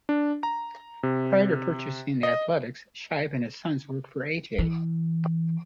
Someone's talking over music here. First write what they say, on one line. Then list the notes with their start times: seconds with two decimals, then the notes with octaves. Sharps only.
Prior to purchasing the Athletics, Shibe and his sons worked for A. J.
0.09 D4
0.43 A#5
1.03 C3
2.23 D#5
4.58 E3